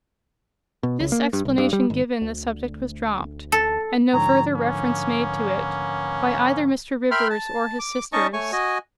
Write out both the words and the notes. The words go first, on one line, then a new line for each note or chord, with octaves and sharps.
This explanation given, the subject was dropped, and no further reference made to it by either Mr. Rivers or his sisters.
B2
C#2
A#3
G2
C2
G2
G3
G#1
D2
A4
G#2 D3 F3 C4 C#5 A#5
A#3 B3 C#4
A#4 E5 G5 B5 C6 F6
A5
D6
C#4 D#4 D#5 A5 C#6
A3 C#5 G#5 C#6
F#4 D#5 G#5